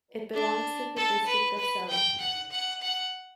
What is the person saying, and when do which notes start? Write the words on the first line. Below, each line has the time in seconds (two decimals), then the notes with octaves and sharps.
It belongs to the district of Celle.
0.34 D4
0.96 A4
1.27 B4
1.58 B4
1.89 G5
2.20 F#5
2.51 F#5
2.82 F#5